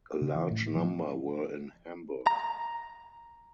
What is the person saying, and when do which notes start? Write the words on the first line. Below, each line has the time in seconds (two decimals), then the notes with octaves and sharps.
A large number were in Hamburg.
0.21 C#3
0.35 E3
0.51 A2
0.75 F3
2.27 A#5